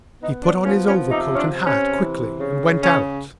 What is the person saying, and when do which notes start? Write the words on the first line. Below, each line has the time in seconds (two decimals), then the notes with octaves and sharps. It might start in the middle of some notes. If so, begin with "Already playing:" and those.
He put on his overcoat and hat quickly and went out.
0.22 B3 D#4
0.43 D4
0.65 F3 C#4
0.87 C#4
1.09 C3 D#4
1.34 C#4
1.38 D4
1.52 C3
1.67 C#4
1.96 E3
2.40 C#3
2.83 C#3 C#4